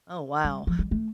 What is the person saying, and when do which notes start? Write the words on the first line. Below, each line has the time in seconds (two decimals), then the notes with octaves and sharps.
Oh, wow.
0.44 G3
0.67 F3
0.79 G3
0.91 A3